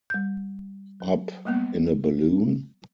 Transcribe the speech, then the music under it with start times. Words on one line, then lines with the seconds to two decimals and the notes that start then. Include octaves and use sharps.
Up in a balloon?
0.10 G3 G6
1.00 F#3
1.45 G3 A#3 B3